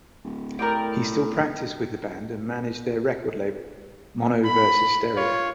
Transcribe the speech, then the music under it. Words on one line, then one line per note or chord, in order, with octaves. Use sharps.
He still practiced with the band and managed their record label, Mono Vs Stereo.
D1
A2 A#4 D5 G5
B5
F4 C#5